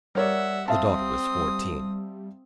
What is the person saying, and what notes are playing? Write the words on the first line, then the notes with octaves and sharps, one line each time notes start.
The daughter was fourteen.
G3 A#4 C#5 D5 E5 F#5
C4 E5 F5 A5 D#6